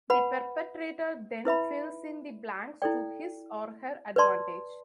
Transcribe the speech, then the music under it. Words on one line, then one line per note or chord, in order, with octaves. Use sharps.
The perpetrator then fills in the blanks to his or her advantage.
B4 F#5 B5
E4 B4 E5 B5
E4 A4 D5 G5
B4 D5 A5 C6